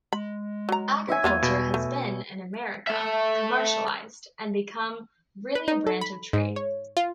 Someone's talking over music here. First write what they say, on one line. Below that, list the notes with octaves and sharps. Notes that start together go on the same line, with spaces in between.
Agriculture has been, in America, commercialized, and become really a branch of trade.
G#3 B5
F#3 A#5
C#5 E5 G#5
E2 A#3 B3 F4
B2
A3
A4 E5
B4
D#4
A4
B5
G#2
C#5
F4